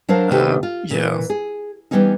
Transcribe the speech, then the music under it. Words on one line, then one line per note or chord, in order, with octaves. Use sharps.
Uh, yeah.
F#3 D4 A#4 C5 F5
C3 D#3 F#4 G4 A4 B4
F4
A#2 E3
G#4
E3 F3 G3 B3 C#4 D#4